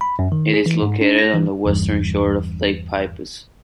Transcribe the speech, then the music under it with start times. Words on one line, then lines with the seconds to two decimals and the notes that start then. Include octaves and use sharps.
It is located on the western shore of Lake Peipus.
0.01 B5
0.19 F#2
0.32 D#3
0.54 G#4
0.66 E3
0.82 G#2
1.01 D4
1.18 A#6
1.34 E3
1.65 G1 E2 G2